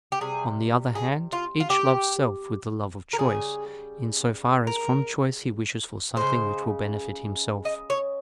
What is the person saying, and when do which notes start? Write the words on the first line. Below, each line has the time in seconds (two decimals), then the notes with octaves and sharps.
On the other hand, each loves self with the love of choice, in so far as from choice he wishes for something which will benefit himself.
0.12 G4
0.21 C3 G3 G#4
0.95 G#4
1.32 F4
1.60 F4
1.70 G4
3.13 A#4
3.18 C#3 G3 G#4
4.67 A#4
6.16 C#3 G#3 C5
7.65 D#5
7.90 C#5